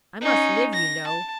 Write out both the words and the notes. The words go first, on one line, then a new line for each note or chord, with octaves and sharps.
I must live, you know!
C#4 D#4
A#6
A5